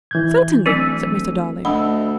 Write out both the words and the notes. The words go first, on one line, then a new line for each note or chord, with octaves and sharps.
"Certainly," said Mr. Darling.
E3 G6 G#6
D2 F#3 C4 E6 B6 D#7
D2 D#5 F#5 B5 E6